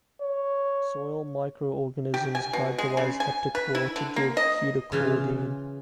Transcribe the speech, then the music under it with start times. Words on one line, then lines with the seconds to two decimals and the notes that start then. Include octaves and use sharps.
Soil microorganisms hydrolyze heptachlor to give ketochlordene.
0.22 C#5
2.14 G4
2.35 G#5
2.53 B2
2.78 G#3
2.97 C#3
3.20 G#5
3.55 B4
3.75 E4
3.96 D3
4.16 A#3
4.37 D#5
4.92 C#3 E3 F4